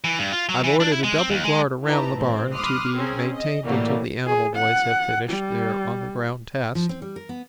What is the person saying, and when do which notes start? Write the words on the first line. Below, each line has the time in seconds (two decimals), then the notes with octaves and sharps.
I've ordered a double guard around the barn, to be maintained until the animal boys have finished their on-the-ground tests.
0.04 E3
0.19 G2
0.32 F4
0.49 F#3
0.64 E3
0.80 D4
0.92 E4
1.04 G#3
1.18 C4
1.30 D#2
1.44 G#3
1.84 D#4 E4 G4 B4 A5 A#5
2.13 A1 A#2 C4
2.55 B5 C6 D6 D#6 F6 F#6
2.96 C4 C#4 G#4 A#4
3.33 D#5
3.66 A2 E3 F#3 G3 A3 A#3
4.27 G#4
4.56 F#5
5.29 G3
6.75 F3
6.89 C4
7.02 G3
7.16 A#4
7.29 B3